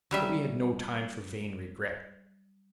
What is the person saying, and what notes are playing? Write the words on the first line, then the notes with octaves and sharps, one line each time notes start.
But we had no time for vain regrets.
F#3 G3 E5